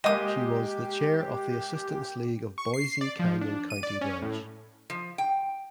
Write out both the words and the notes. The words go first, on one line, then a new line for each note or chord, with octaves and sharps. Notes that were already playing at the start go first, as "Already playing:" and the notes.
She was the chair of the Assistance League of Boise Canyon County Branch.
G#3 A#3 G4 D#5 D#6
C#6
C7
D5
F3
D4
D#7
D5
C#4
A2
F3
G5